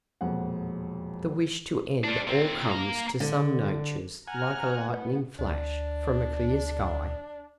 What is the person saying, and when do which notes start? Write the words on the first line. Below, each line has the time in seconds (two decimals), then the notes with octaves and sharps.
The wish to end all comes to some natures like a lightning flash from a clear sky.
0.21 E1 F2 A#2 F#5
2.04 G3 D4
2.28 A#2 C4
2.68 A#3 A#5
3.20 D3
4.28 F#5 G#5 A#5 F6
4.84 A2 B3
5.39 D2 D4